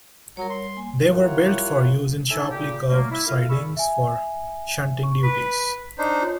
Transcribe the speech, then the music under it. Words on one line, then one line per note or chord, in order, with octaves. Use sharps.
They were built for use in sharply curved sidings for shunting duties.
F#3 G3 A#4 C#5
C6
A#3 G#5
E4 F4 G4 A#4 C#5 F#5
A3 D#4 G#5 A5 E6
A#2 C#3 G4
F#3 G3 A3 A#3
E4
F4 A4 A#4 E5 F5
G#4 D5 E5 B5 C#6 E6
E5 G#5
C#6
B4 B6
D4 D#4 C5
F4 C#5